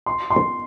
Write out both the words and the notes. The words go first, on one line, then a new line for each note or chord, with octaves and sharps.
It is celebrated by all sections of the tribe.
C6
C6